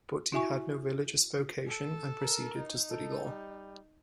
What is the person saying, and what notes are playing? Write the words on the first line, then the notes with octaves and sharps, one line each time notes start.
But he had no religious vocation and proceeded to study law.
E4 F#4 E5 G#5 C#6
A4
A#4
D#4
A4
G3